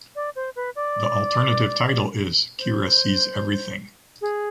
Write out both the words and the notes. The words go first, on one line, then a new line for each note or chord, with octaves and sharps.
The alternative title is “Kira sees everything”.
D5
C5
B4
D5
C5
G#4